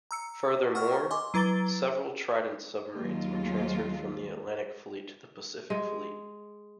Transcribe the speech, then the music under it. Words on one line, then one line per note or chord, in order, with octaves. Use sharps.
Furthermore, several Trident submarines were transferred from the Atlantic Fleet to the Pacific Fleet.
A#5 E6 C#7
F#5 C#6 E6 F6
D#5 G#5 C6 D6
F#3 E4 B4 A#5 A6 G7
D#2 F#3 G#3 F4
G#3